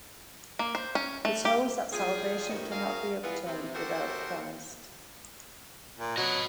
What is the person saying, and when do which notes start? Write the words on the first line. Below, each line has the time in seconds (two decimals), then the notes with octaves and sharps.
It holds that salvation cannot be obtained without Christ.
0.59 A#3
0.75 C5
0.95 C#4
1.25 A3
1.45 G4
1.93 F3 G3 F4 G#4
2.49 A2 C3 D#3 G3 D#4 F#4
2.72 F#4 G#4 A#4 F5
3.23 E3 B3 F4
3.47 C3
3.75 F#4 G4 A4 A#4 C5 F#5
5.99 A#2
6.17 F#3 B4 D#5